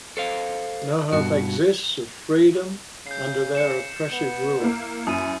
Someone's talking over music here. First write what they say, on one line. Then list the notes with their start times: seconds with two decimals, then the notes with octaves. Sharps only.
No hope exists of freedom under their oppressive rule.
0.17 A4 C5 F5
1.12 G2 B2 F#4
3.07 C#3 G6 C7
3.55 C#7 E7
4.12 B3
4.60 A#3 E4
5.07 F#2 E4 D#6 D#7